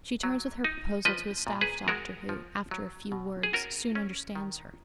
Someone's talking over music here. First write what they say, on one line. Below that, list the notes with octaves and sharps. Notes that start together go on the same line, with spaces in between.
She turns with her proposal to a staff doctor who, after a few words, soon understands her.
F#3
D#4
F3 B4 D#5
A#2
G#4 B4
G#3 F#4 A#4
F3
F#3
B2
G#4
C#4 F#4 A#4
C#4
D#3